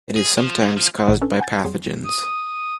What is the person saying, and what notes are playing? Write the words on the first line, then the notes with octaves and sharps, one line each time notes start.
It is sometimes caused by pathogens.
G#4
F3
G#2
F3
G#1 A2 A3 D5 F#5 D#7
C#4 D4 A4 B4
F#5 G#5 G6 A6
F2 F#3 G3 G#4 C6
D#6